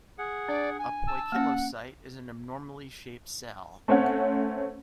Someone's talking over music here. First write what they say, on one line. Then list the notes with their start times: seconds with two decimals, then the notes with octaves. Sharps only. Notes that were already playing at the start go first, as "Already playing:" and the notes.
A "poikilocyte" is an abnormally shaped cell.
0.18 G#4 F#5
0.49 D4 D5
0.79 G#5
1.07 A5 E6
1.32 A#3 C#4 F#5
3.88 A3 C4 C#4 C#5 F#5